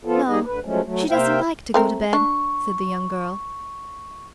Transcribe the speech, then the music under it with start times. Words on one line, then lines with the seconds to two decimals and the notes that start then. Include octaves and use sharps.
"No; she doesn't like to go to bed," said the young girl.
0.05 F3 B3 F4 A4
0.28 G3 D#4 G#4 D#5
0.46 D2 D3 B4
0.65 F3 F#3 G#3 A3 C#4
0.83 F#3 A3
1.10 C3 A#3 C5 E5 F5 G5
1.74 A3 C4 A#4
2.13 D4 C#6